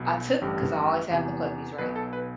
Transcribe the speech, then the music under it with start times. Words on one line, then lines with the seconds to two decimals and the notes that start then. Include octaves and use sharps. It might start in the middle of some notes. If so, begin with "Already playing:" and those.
I took, 'cause I always have the puppies, right?
Already playing: B1 B2
0.41 A1 G2 D3 G4
1.10 E2 C3 E3
1.78 B1 B2 B4
1.96 A4
2.13 B4